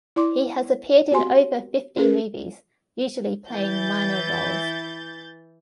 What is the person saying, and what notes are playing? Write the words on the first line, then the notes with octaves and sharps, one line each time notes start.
He has appeared in over fifty movies, usually playing minor roles.
E4 D5 C6 D6
C4 F#4 G4 G#5 C6
C#4 G#4 A#4 B4
E3 G6 A6